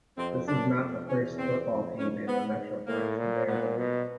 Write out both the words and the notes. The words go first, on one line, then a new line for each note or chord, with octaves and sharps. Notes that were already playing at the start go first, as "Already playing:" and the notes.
This is not the first football team in the Metroplex to bear the name.
F2 C4
F#2 D4
F2
E2 C#4
C4
F2
F2 C#4
G#2 B3
A2 A#3
A#2
A#2 B3
B2